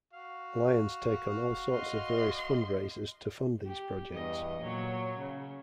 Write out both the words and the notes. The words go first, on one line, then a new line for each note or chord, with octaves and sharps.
Lions take on all sorts of various fundraisers to fund these projects.
F#4 F5
D#5 C6
G4
E2 G2 D#5
A#2 F#3 C#5
C#3